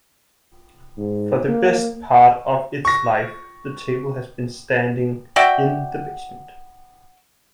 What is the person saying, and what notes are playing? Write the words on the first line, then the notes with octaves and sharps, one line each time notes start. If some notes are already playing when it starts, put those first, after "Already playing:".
For the best part of its life, the table has been standing in the basement.
G#2
A#3
C#6 A#6
F#4 D5 E5 G5